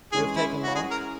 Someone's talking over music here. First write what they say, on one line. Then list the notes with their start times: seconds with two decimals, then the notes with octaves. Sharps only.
"You have taken Monk?"
0.12 E3 G#3 C#4 G#4
0.36 E4
0.63 F#4
0.75 G#4
0.91 A#4